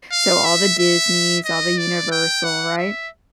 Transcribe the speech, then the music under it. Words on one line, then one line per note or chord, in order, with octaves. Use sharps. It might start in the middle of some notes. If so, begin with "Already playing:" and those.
So, all the Disney's, all the Universal, right?
F5
E5
E5
D#5
D5
G5
F#5
E5